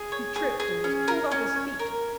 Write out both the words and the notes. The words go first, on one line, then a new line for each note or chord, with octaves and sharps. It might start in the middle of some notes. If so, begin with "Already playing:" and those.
He tripped and was pulled off his feet.
Already playing: G#4
C#5
G#4
G#4
C#4
A#4
C#4
C#5
A#4